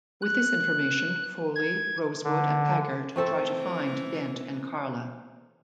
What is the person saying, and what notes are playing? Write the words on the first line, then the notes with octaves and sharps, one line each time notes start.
With this information, Foley, Rosewood, and Taggart try to find Dent and Karla.
F#6
G#6
D3
E3 A3 C4 A4